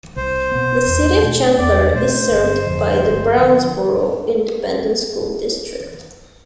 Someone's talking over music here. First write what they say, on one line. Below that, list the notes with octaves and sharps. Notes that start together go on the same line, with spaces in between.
The City of Chandler is served by the Brownsboro Independent School District.
C2 C5
B2 B3
E2
B2 A3 D4
E2 D5
B2 A3 D4 C5
G1
F2 D3 F3
G1
D3 F3